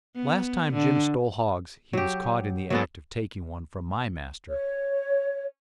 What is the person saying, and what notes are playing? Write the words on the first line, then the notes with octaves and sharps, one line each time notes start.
The last time Jim stole hogs he was caught in the act of taking one from my master, Col.
B3
D3
F#3 G4
F#3 B3 A4
C#5